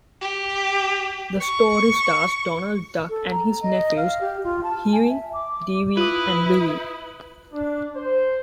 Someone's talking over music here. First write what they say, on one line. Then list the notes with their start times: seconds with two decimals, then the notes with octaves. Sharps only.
The story stars Donald Duck and his nephews Huey, Dewey, and Louie.
0.21 G4
1.40 C#6
3.09 A4
3.31 A#5
3.62 D#5
3.97 F5
4.21 G4
4.44 F4
4.64 A5
4.92 G#5
5.09 E5
5.34 D6
5.97 E4 F4 B4 D#6
7.53 D4
7.96 C5